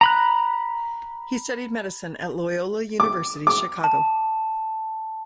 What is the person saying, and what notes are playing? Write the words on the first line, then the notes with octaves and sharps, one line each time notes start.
He studied medicine at Loyola University Chicago.
A#5 B5 F#6
D6
D6
A5